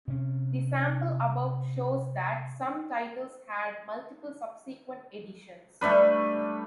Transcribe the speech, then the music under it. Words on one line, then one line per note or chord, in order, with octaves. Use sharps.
The sample above shows that some titles had multiple subsequent editions.
C3 C#4
G3 A3 D4 B4